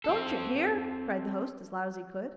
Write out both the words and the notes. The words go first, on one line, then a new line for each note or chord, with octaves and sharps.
'Don't you hear?' cried the host as loud as he could.
C4 A4